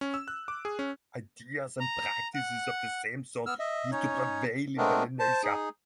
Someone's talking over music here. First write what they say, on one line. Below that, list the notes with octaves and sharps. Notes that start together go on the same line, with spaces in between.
Ideas and practices of the same sort used to prevail in Melanesia.
C#4
E6
F#6
D6
G#4
C#4
A#5
F#5
B3 E6 F6
D#5 E5
C#4 D#4 C#5
G#3 A3 B3 C4 D4 A#4
C5 A5
D#4 G#4